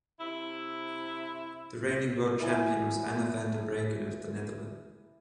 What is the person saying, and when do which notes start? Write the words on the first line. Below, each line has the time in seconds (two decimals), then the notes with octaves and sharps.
The reigning World Champion was Anna van der Breggen of the Netherlands.
0.20 C3 E4
2.40 E4 E5 G#5 A#5